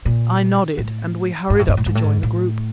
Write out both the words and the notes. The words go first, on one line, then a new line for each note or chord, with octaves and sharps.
I nodded, and we hurried up to join the group.
A#2
A2
G#2
A2
G#2
A2
G#2
A2
G#2
A2